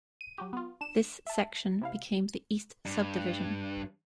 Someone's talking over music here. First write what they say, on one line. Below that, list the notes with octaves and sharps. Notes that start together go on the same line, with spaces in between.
This section became the East Subdivision.
D#7
F#3 F#4 G4
B3 F4
D4 E7
E5 A5
C3 E4 F5
G2